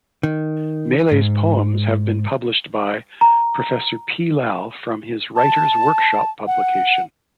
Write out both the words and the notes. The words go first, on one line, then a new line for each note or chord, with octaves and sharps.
Malay's poems have been published by Professor P. Lal from his Writers Workshop publication.
D#3
G#2
A#5
A5
F#5